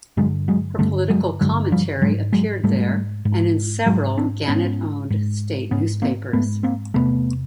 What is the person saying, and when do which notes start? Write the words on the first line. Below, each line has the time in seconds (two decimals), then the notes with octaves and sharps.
Her political commentary appeared there and in several Gannett-owned state newspapers.
0.17 G2 D3 F#3 G#3
0.48 F#3 G#3
0.79 G2 D3 G3 A3
1.10 F#3 G#3
1.41 G2 D3 F#3 G#3
1.72 F3 G3
2.02 G#2 F#3 G#3
2.33 F#3 G#3
2.63 G#2 G3 A3
3.25 G#2
3.86 G#2 F#3 G#3
4.18 C4 D4
4.48 G#2 B3 C#4
5.10 G#2
5.71 G#2 B3 C#4
6.02 A#3 C4
6.33 G#2 A3 B3
6.63 A#3 C4
6.94 E2 C3 A3 B3